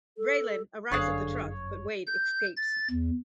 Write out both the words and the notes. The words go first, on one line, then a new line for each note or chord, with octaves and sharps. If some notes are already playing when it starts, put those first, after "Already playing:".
Raylan arrives at the truck but Wade escapes.
A4
G1 F#2 D3 G#4 C#5 F5 F#6
G6
A6
E2